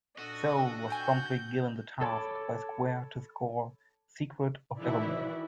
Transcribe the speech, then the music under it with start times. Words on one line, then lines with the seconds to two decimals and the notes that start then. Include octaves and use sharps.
Soule was promptly given the task by Square to score "Secret of Evermore".
0.18 A#2 D4 F#4 A4 D#5
0.90 G5 G#5 G6
2.01 A4 C#5 A5 B5 D6
4.78 D#3 E3 E4 F#4 D5